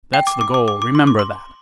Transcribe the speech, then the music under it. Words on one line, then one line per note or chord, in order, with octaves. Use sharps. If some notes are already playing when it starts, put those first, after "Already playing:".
That's the goal, remember that!
G5
D6
D6
D6
D6
D6
C6
D6
C6